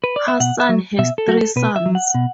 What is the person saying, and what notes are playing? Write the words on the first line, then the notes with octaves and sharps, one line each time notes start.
Hassan has three sons.
B4
D5
E5
B2 F#5
E5
F#3
B2 E5
A4
F#3 F#4
A4
B2 B4
E5
F#3
F#5
B2